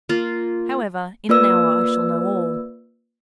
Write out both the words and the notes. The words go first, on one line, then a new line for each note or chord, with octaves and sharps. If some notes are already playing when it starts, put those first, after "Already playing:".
However, in an hour I shall know all.
A#3 F4
A#3 F4 B4 D5 E6